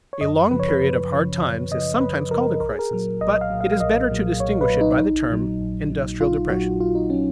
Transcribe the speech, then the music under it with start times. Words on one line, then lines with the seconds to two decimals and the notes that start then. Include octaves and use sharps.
A long period of hard times is sometimes called a crisis, but it is better to distinguish it by the term industrial depression.
0.13 C#5
0.21 F#2 D#5
0.51 C#3 F3 B4
0.59 C#5
0.69 B4
0.81 F#2 B4
1.11 C#3 F3
1.42 F#2
1.71 C#3 F3 D#5
2.01 F#2 B4
2.30 C#3 F3 A#4
2.60 B1 A#4
2.69 G#4
2.79 A#4
2.91 A#2 F#3
3.21 B1 D#5
3.41 F5
3.50 A#2 F#3
3.61 F5
3.72 F5
3.80 B1 D#5
4.11 A#2 F#3
4.40 B1 C#5
4.61 B4
4.70 A#2 F#3
4.81 D#4
5.00 A#1
5.30 A#2 F#3
5.61 A#1
5.90 A#2 F#3
6.20 A#1 F4
6.49 A#2 F#3 F#4
6.80 A#1 F4
6.95 D#4
7.09 A#2 C#4
7.14 F#3